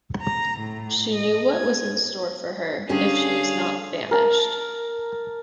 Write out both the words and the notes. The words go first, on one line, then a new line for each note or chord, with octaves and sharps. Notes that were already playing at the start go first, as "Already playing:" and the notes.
She knew what was in store for her if she was not banished.
A#5
A2
D#5
G#6
D3 G3 C#4 G#4 F5
A#4 A5